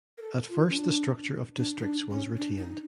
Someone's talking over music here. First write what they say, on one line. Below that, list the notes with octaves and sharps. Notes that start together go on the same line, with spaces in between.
At first the structure of districts was retained.
A#4
A4
F4
C#4
D4
D4
D#4
D4
C#4
D4
D#4